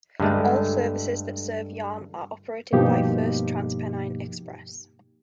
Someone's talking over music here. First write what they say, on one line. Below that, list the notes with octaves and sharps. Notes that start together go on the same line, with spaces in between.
All services that serve Yarm are operated by First TransPennine Express.
G2 D3 G#3 A3
G2 B2 F3 A#3 D#4 G4